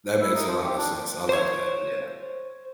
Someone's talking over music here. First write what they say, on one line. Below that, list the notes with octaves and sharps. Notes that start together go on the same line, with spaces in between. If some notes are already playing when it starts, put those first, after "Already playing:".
That makes a lot of sense, I like that, yeah.
E4
D#4
F3
G4
D4
C5 C#5